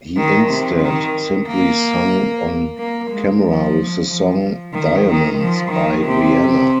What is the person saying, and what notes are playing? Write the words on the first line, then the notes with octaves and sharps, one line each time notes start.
He instead simply sung on camera with the song: "Diamonds" by Rihanna.
D#3
C3
D#3
A#3
A#3
G#3
F3
F3
D#3
D#3
F3
D#3
C3